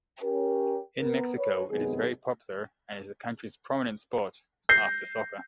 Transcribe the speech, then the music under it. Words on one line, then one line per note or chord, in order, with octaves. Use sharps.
In Mexico it is very popular and is the country's prominent sport, after soccer.
C#4 G4 A#4
B3 A#4
B4 C#5
C3 D#3 F#3 G#3 B3 G#4
G6 A#6 C7